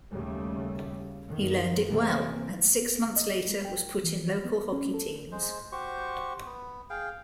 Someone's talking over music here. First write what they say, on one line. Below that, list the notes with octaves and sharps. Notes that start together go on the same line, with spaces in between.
He learned it well, and six months later was put in local hockey teams.
D#2 C#3 G3 A3
F#2 D#3
C3 E3 A3 A#3 C4
B3
D#5
G#3
G5
E3
B3
C#4
A4
G#3 C5
F#4 G4 C5 C#6
B3
G#4 F5 G5